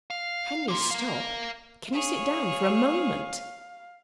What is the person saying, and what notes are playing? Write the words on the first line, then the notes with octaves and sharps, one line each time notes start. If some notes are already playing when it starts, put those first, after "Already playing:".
'Can you stop--can you sit down for a moment?
F5
A#3 F4
A#4 F5
G#4 C#5 F5